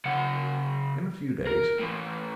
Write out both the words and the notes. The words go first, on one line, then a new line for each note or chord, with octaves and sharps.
In a few days.
C#3 F#5
A#4
A2 E3